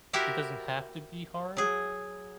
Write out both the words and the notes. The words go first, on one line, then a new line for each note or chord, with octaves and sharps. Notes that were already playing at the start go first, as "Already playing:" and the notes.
It doesn't have to be hard
E4 F#4 G4 A#4 C5 E5
F#3 G#4